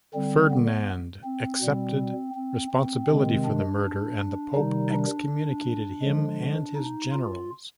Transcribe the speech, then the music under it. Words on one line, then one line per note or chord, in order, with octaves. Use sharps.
Ferdinand accepted responsibility for the murder, and the pope excommunicated him and his generals.
D3 G3 C4
B3
C4
B2 G3
C4
C4
C3 D#3 G#3 C4
D4
C3 D#3 G3 D#4
D4
D3 F3 G#3
D#4
F4